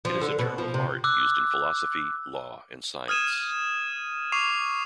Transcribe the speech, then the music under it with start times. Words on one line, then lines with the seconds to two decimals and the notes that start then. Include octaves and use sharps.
It is a term of art used in philosophy, law, and science.
0.05 F3
0.21 D3
0.39 B2
0.58 F3
0.74 C3
1.04 D6 E6 F#6
3.08 D#6 F6 G#6 D#7 E7
4.32 C#6 D6 C7 D#7 F7